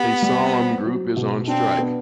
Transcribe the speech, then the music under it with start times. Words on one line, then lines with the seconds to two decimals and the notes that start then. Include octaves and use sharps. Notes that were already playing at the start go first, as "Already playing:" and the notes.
A solemn group is on strike.
Already playing: B3 G4
0.22 G3
0.54 C4
0.85 F#3
1.16 B2
1.47 C4 D4
1.79 B3